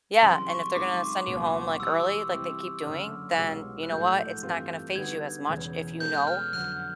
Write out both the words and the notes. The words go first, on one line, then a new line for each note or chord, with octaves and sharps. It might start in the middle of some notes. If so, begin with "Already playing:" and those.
Yeah, and if they're gonna send you home, like, early, like they keep doing, then, you know what? It's not gonna phase you as much if you know,
F#2 C#3 E3 G3 C4 C6
C#6
F#2 D#3 G#3 C4 F4 D6
C#2 B2 F#3 A#3
C3 E3 G3 E6
C3 E3 G3 C4 E4
F#1 F#2 D3 F6
C2 B2 G#3 C#4 F4
F#6
A#1 A2 F#3 A3 G6
G2 E3 A3 C4 F4
D3 G3 B3 D#4 F#4 G#6
E1 E2 C#3 E3
B2 G#3 C#4 F#4 A4 G6
F#6
F6
F6
F2 D3 F#3 B3 F#6